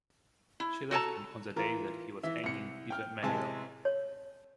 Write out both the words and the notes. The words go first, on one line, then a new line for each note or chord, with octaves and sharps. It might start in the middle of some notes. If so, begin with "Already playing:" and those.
She left him on the day that he was hanging Peter Manuel.
E4
F#4 A4 A5 A#5
E3 F4 A#4
E3 E5
C2 C#7
G5 F6
A1 C3 G#3 G#5 A5
C#5